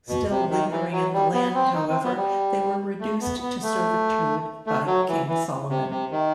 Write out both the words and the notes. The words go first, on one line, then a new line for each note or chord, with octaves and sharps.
Still lingering in the land, however, they were reduced to servitude by King Solomon.
B2
C3
D#3
E3
F#3
G3
B3
C4
D#4
C4
B3
G3
A3
B3
B3
A3
A3
F#3
E3
E3
C3
C3
D#3